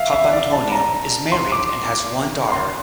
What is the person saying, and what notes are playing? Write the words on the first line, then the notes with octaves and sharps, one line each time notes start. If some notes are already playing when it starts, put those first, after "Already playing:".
Papantonio is married and has one daughter.
Already playing: E5 F5
E5
D5
A5
A#5
C6
D6
C6